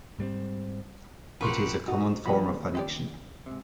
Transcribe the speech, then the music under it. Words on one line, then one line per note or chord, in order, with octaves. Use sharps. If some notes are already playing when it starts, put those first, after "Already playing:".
It is a common form of addiction.
G#2 G3 A#3 C4
A#1 F2 G4 A#4 B4 F#5 C6 C#6
A3 D#4 F#4
F3 B3 C#4 F#4 B5
D#2
D4 G4 D5
G#2 C3